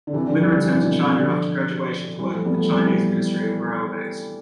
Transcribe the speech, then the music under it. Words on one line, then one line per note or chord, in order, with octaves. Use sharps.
Lin returned to China after graduation to work with the Chinese Ministry of Railways.
D3
C3 E3
D3 F3
E3 G3
D3 F3
C3 E3
B2 D3
C3 E3
D3 F3
E3 G3
F3 A3
G3 B3
F3 A3
E3 G3